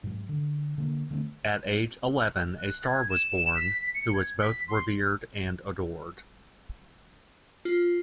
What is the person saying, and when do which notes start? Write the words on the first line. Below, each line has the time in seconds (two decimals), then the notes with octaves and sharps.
At age eleven, a star was born, who was both revered and adored.
0.04 G#2 F#3
0.29 D3
0.78 D3 A#3
1.11 D3 A3 A#3 C4
2.58 F#6
2.86 G#6
3.10 E7
3.56 B6
3.95 C#7
4.14 G#6
4.42 B6
4.68 C6
7.65 F4